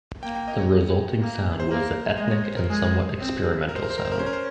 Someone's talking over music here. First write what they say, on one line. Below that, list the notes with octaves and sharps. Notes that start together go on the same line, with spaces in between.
The resulting sound was a ethnic and somewhat experimental sound.
A#3 G5
G5
D#5
C#5
A#3
C5
A#3 A#4
G#3 D#5
C#5
C5
A#4
G#3 G#4
C4
A#4
C5
A#4
C5
A#4
C5
A#4
C#4 C5
A#4
C5